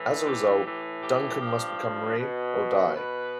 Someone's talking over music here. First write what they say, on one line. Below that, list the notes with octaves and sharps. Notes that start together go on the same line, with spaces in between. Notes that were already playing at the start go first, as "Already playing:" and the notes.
As a result, Duncan must become Mri or die.
Already playing: A2 E3
G4
A2 E3
G4
G2 F3
B2
B2 B4